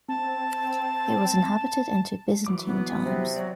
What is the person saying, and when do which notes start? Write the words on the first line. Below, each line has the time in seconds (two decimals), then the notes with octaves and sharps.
It was inhabited into Byzantine times.
0.09 C4 A5
2.46 E3 F#3 D6
2.66 B3
3.05 C3
3.36 F#3 D5